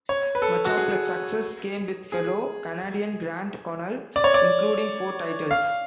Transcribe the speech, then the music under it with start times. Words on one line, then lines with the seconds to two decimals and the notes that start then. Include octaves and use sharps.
Much of that success came with fellow Canadian Grant Connell, including four titles.
0.09 C#5
0.35 B4
0.42 A4
0.65 F#4
0.77 G#4
2.12 G#4
4.16 D5
4.24 C#5
4.34 D5
5.51 F5